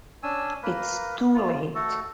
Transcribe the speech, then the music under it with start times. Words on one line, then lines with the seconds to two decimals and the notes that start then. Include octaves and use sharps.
It is too late.
0.23 C#4 D4 G#5 E6
0.63 A#3 A#4 B4
1.34 F4
1.75 A3 F#4 A4